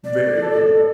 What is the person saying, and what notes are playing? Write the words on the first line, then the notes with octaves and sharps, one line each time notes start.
Very cool.
D5
A4